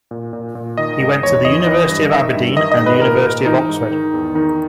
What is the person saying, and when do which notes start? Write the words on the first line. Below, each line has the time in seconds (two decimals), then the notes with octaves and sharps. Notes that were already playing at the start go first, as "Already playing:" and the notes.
He went to the University of Aberdeen and the University of Oxford.
0.11 A#2
0.33 A#2
0.55 A#2
0.77 D#3 D#5
1.00 G#2
1.23 E2 C#5
1.45 E3 D#5
1.67 E3
1.89 G2
2.11 D#3 E5
2.34 G2
2.56 D#3 D#5
2.72 D#5
2.79 G#2
2.86 B4
3.01 A#2 A#4
3.23 A#2
3.45 E3 D#4
3.68 G#2
3.91 D#3
4.14 E2
4.35 D#3 D#4